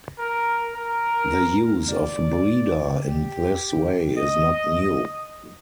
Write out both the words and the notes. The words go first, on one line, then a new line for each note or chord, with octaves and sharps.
The use of "breeder" in this way is not new.
A#4
A#4
D5
G4
D#5